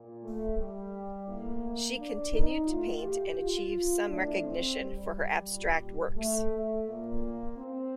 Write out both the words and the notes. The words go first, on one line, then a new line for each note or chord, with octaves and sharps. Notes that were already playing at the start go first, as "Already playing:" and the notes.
She continued to paint and achieved some recognition for her abstract works.
Already playing: A#2
A3
G3
A2 A#3
D4
D#4
A2 F4
G4
F4
A2 D4
C4
G3
A#2
A3
A3
A#2 A#3
C4